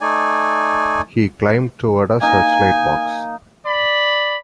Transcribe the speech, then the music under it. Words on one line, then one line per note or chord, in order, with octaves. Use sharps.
He climbed toward a searchlight box.
A3 D#4 D5 G#5
A#3 D#4 G#5
D5 B5